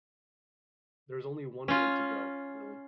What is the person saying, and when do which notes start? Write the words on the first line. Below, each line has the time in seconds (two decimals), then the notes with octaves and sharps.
There is only one way to go, really.
1.68 C#4 F4